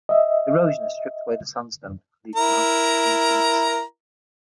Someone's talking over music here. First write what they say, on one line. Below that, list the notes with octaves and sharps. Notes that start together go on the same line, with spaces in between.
Erosion has stripped away the sandstone leaving the mountain's twin peaks.
D#5 E5
E4 A#4 A#5